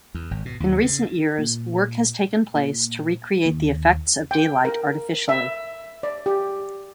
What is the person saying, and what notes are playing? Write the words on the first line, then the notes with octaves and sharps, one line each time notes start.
In recent years, work has taken place to recreate the effects of daylight artificially.
E2
G#1
B2
D#2
C#3
A#2
A#2
D#2
G5
A#4
E5
D5
G4